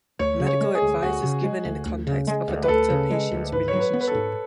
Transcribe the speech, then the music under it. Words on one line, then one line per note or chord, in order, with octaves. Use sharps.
Medical advice is given in the context of a doctor-patient relationship.
D2 C#5
C#3
C#5
G#3
G#4
D2
D2 F#4
C#3
G#3
D2
D2
C#3
G#3
D2
B4
D2 A4
C#3
G#3
D2
G#2 B4
C#5
F#3
B4
B3
B4
A4
G#2